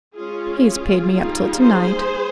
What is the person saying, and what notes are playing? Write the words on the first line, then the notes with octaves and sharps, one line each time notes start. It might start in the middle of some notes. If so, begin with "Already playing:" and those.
He's paid me up till to-night.
G#3 C#4 F4 G#4
F4 G#4
G3 A#3 D#4
G#4 C5